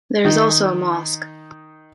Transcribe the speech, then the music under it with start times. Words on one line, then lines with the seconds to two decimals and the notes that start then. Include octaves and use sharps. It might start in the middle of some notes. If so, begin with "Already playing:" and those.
There is also a mosque.
0.25 D#3 D#4